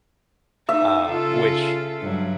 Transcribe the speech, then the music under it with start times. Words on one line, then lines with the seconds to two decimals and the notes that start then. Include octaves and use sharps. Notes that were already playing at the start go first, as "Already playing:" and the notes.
uh, which,
0.69 D#4 E5
1.05 C#3 F4 A4
2.00 G2 F#3